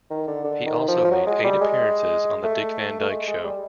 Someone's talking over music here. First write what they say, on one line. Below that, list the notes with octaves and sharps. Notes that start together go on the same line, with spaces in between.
He also made eight appearances on the "Dick Van Dyke Show".
D#3
D3
D3
D#3
F3
F3
F#3
G#3
G3
G#3
A3
A3
G#3
G#3
G3